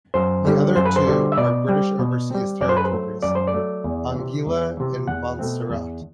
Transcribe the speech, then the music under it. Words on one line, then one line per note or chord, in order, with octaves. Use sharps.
The other two are British overseas territories: Anguilla and Montserrat.
F#2 C5
D3 G3
F#2 C5
B4
C5
D3 G3
E5
B2 D5
G3 C4
B2
G3 C4
F#2 D5
C5
B4
C5
F#3 A3
F#2 D5
C5
D5
F#3 A3
E2
C3 E3
E2
C3 E3
E2 F#5
B2 A3 C4
E2